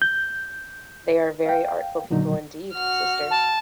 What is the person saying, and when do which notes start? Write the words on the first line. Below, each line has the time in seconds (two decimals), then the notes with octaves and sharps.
They are very artful people indeed, sister.
0.02 G6
1.46 F5 G5
2.10 A#2 D3 F#3 D#4
2.74 F#4 F6
3.31 A5